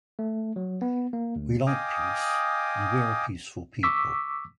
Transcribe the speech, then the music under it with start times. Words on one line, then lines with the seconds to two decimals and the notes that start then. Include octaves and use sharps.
We like peace and we are a peaceful people.
0.19 A3
0.56 F#3
0.82 B3
1.13 A#3
1.36 D2
1.67 D#5 F5 G5 G#5 D6 D#6
3.83 C#6 D6 E6 B6